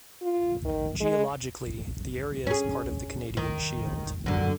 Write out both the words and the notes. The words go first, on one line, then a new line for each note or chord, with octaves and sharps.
Geologically, the area is part of the Canadian shield.
F4
D#3
G#3
C#4 G#4
D#3
F#2 D3